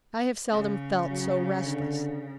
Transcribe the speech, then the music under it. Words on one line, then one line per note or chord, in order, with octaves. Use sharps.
I have seldom felt so restless.
C#3
F#3
D3